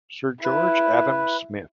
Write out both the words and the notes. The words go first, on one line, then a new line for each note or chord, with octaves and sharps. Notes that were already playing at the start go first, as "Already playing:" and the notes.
Sir George Adam Smith.
E4 B4